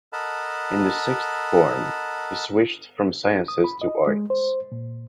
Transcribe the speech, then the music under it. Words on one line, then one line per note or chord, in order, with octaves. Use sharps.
In the sixth form, he switched from sciences to arts.
A4 A#4 D#5 F#5 A5 B5
D#6
B5
D#5
G#3
C5
A#2